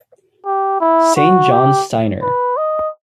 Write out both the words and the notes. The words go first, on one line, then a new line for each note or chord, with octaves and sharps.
Saint John Steiner.
G4
E4
F#4
G4
B4
D#5